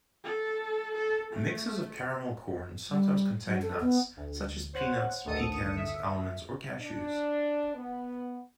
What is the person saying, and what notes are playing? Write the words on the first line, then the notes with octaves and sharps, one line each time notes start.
Mixes of caramel corn sometimes contain nuts, such as peanuts, pecans, almonds, or cashews.
A4
A4
A3
G3
F#3
A4
B3
D2
C5 C#5 F#5
A1 D2 D#3 A4 D#6 C#7
E5
D4
B3